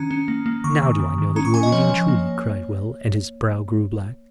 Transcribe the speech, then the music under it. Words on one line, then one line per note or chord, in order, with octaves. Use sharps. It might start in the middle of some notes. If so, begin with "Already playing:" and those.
"Now do I know that you are reading truly," cried Will, and his brow grew black.
Already playing: D#3 C#4 A#5
C#4
A#3
A#3
D#3 C#6
D#3
D#3
D#3
C#4 A#5
C#6
C#4 G#5
D#5
F3 C#5
F3
A#3